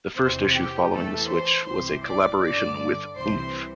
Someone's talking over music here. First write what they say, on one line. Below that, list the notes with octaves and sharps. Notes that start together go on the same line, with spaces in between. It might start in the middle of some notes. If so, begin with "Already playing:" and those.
The first issue following the switch was a collaboration with Oomph!
E2 C3 E3 C4 C5
G4
E2 E3 A3 A4
C5 C6
C2 C3 E3 C5 C6
D5 D6
G2 D3 D5 D6
C2 C3 E3 C5 C6